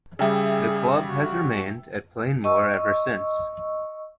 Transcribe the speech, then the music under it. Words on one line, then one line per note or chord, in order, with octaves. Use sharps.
The club has remained at Plainmoor ever since.
C#3 G3 G#4 E5 G5
F#4
D#5 C#6 E6